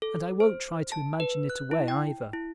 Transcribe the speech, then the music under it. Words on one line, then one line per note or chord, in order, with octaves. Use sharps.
And I won't try to imagine it away, either.
A4
C5
A5
B4
F#6
E4
G5
E4